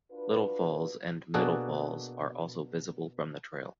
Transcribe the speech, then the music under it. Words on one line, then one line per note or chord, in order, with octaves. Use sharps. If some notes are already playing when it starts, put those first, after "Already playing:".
Little Falls and Middle Falls are also visible from the trail.
D4 F4 F#4 B4
B2 A#3 D4 F#4 G#4 A4